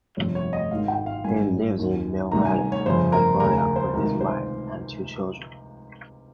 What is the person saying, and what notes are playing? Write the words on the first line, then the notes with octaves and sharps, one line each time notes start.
He lives in Mill Valley, California, with his wife and two children.
G1 F2 C3 C#5
C#5
D#5
G#1 G#2 D#3 F5
G5
F5
G#1 G2 D#3 G#5
D#2 D#3
C2 C3 D#3 A#5
G#5
C#5
G1 F2 C#3 C5
A#4
F1 D#2 C#3 A#4
A#4
C5
C#2 C3 D#3 A#4
C5